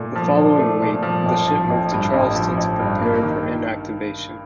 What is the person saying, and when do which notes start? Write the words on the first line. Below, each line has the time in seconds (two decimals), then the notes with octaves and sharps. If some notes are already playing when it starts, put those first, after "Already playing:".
The following week, the ship moved to Charleston to prepare for inactivation.
Already playing: A#2 A3
0.16 F3
0.37 D4
0.59 A3
0.81 A#2
1.03 F3
1.25 A1
1.48 F3
1.70 A1
1.92 G2
2.13 A1
2.35 F3
2.57 A1
2.79 G2
3.01 A#3
3.23 D#3